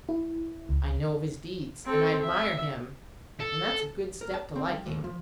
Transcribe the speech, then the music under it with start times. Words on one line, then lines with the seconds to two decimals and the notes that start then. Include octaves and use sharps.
"I know of his deeds, and I admire him, and that's a good step to liking."
0.09 E4
0.69 C#2
1.85 C4 A4
2.23 E5
3.40 A4
4.21 A#4
4.34 A5
4.56 C4
4.68 G3
4.86 D#2
5.04 F3